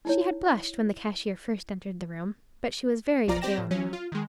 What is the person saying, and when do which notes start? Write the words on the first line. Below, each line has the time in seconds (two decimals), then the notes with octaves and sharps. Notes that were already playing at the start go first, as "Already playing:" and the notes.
She had blushed when the cashier first entered the room; but she was very pale now.
0.05 D#4 E4 C#5
3.28 B1 F3 F4 D5 A#5
3.41 C4 G4 D5 G5 A#6 E7
3.58 A2
3.71 F#3 C#4
3.93 F4
4.12 D#3 G#3